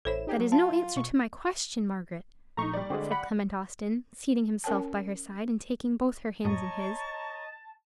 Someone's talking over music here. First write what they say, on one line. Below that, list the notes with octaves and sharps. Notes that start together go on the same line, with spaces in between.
"That is no answer to my question, Margaret," said Clement Austin, seating himself by her side, and taking both her hands in his.
A1 E4 A4 C5 C#5 E7
D#4 G4 G#4
F#3
F4 A5
B2 C#6
A#1 A3 D#4 A#5 C#6
G3 D5
D3 G#3 C4 F#4 G#4
F#5 B5
C#4 A#4 C#5 G5 A5
F#2 A2 C#5 D#5 A5 A#5 C#6